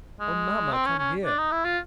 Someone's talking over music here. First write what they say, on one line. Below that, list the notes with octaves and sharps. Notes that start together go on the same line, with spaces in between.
Oh, mamma, come here.
G#3
C4
C#4
C#4
D4
D#4
E4
F4